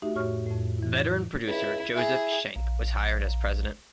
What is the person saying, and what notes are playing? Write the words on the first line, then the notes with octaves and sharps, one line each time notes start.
Veteran producer Joseph Schenck was hired as president.
A3 D#4 F#4 G4 E5
F2 A2 F#4 C#5 C#6 F6
F2 A2
E3 E4
C#2 E4
E4 G#4
A#1